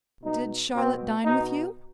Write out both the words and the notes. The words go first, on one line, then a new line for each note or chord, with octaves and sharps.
"Did Charlotte dine with you?"
B2 D#4
B2 C4
B2 D#4